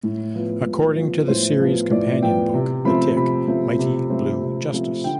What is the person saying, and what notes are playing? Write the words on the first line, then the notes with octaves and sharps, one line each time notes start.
According to the series' companion book, The Tick: Mighty Blue Justice!
A2
F3 B3
A2
F3 B3
A2 C5
F3 B3
A2 D5
F3 B3 G5
C3
F3 A3 C4 B5
C3 B5
F3 A3 C4
C3
F3 A3 C4
C3
F3 A3 C4
D3 G5